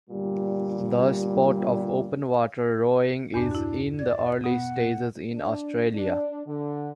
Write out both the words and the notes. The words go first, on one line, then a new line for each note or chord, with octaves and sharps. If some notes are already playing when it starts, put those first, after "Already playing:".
The sport of open water rowing is in the early stages in Australia.
G1 A#2 G3
E2 G2 A#2 D4
E4 F#4
D5 G#6
B2 B3 F#5
D4
D4
D3